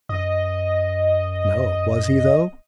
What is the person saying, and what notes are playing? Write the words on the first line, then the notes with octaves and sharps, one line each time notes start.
"No was he, though?"
F#2 D#5